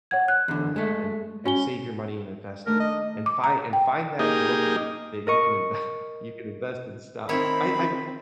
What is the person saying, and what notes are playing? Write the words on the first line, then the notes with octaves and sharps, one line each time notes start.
uh, and and save your money and invest it, and fi and find that broker that you can inve you can invest in stocks." I I
C#5 F#5 G#6
F#6
E2 D3
G#3 A3
C#4 F#4 G#5 G7
D#3 A3 D4 A#4
D#5
D6
A#5
G5
A#3 D#4 G4 G#4 D#5
A#4 D#5 C#6
D#3 C4 E4 C#5 B5